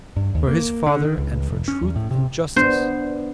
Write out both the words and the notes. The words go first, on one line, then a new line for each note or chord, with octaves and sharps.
For his father and for truth and justice.
G2
D#2
A#3
D3
D#3
C#2
F1
C#4
E2
A2
C3
B3 D4 C5